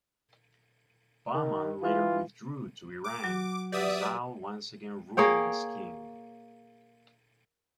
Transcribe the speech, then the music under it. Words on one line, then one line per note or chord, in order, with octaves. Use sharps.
Bahman later withdrew to Iran, and Zal once again ruled as king.
D#3
E3 F4
D6
F#3 F#4
G4 B4 D5 E5 F#5 D#6
A#3 G#4 C#5 G5